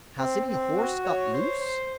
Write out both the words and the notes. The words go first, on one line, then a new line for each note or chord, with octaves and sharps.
"Has any horse got loose?"
C4
C4
F#4
C#5
C5
C5